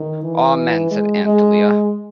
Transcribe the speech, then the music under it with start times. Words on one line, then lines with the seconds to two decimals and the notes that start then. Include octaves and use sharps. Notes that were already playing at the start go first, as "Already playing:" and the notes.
"Amen," said Aunt Dahlia.
Already playing: D#3
0.24 E3
0.91 G#3
1.24 G#3